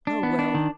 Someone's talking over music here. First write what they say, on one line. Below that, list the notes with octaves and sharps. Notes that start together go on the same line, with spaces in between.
'Well! well!
D4
B3
D4
D#3